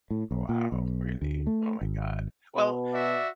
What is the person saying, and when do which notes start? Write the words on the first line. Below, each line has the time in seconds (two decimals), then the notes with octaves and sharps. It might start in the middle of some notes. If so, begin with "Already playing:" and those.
wow, really? Oh my god. Well,
0.10 A2
0.31 B1
0.49 A#2
0.72 B1
1.22 D2
1.47 A3
1.81 G#1
2.57 B2
2.92 F#4 D5 E5